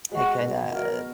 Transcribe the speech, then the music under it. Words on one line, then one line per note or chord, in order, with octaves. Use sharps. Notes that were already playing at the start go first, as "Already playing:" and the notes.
a good, uh,
G#3 F#4
B2
F#4 A#4